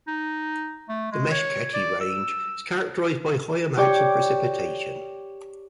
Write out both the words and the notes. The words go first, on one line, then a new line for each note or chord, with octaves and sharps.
The Meskheti Range is characterized by high amounts of precipitation.
D#4
A3
G#3
C#5
D5
E6
G4 C#5 D5 G5